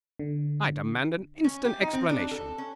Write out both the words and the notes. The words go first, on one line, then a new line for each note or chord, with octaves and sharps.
I demand an instant explanation.'
D3
C#4
G4
D#4
C4
D4
A4
C#4